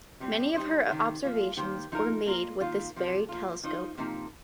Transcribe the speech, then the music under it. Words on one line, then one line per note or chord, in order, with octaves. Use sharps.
Many of her observations were made with this very telescope.
C3 G3 C4
G3 D#4 C5 D#5
C3 D#3 C4
F3 A#3 F4
D#3 A#3 G4 C5
F3 D#4 A#4 D#5
A#3 F4 A#4 D#5
D#3 A#3 F4
C3 F3
F3 A#3 F4
F3 D#4 C5 D#5
C3 F3 A#3 D#4